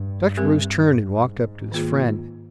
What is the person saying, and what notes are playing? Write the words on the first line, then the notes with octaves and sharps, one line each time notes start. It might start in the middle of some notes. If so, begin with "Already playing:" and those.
Dr. Bruce turned and walked up to his friend.
Already playing: G2
G3 C4 G4 A#4
G#2
D#3 A#3 F4 G#4